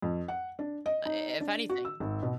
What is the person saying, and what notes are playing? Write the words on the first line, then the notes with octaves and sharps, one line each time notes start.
I if anything.
F2
F#5
D4
D#5
D#4
D4
F#4
E6
G#1
B2